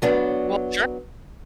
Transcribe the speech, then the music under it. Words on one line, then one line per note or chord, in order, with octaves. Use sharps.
Well, sure.
F#3 B3 D4